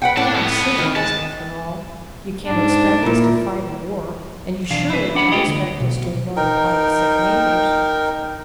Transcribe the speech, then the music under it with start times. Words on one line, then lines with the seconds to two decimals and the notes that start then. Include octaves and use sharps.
"We are civilized, after all. You can't expect us to fight a war--and you surely can't expect us to ignore the plight of sick neighbors?"
0.02 B4 F#5 G5
0.17 A2 D5 A5
0.35 F2 B3
0.78 D#3
0.96 G#3 A5
2.46 G#2 D4
3.02 A#2 A#3 E4 A#4
4.70 B1 E2 D4 F5
4.90 E4 B4
5.15 D4 F#5 B5
5.32 G#3 A3 C#4 F4 G4 D#5
5.47 D2
5.80 B1
6.36 D#4 A#4 G5